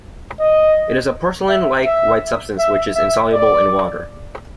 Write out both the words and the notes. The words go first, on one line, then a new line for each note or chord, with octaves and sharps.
It is a porcelain-like white substance which is insoluble in water.
D#5
E5
E5
E5
E5
D5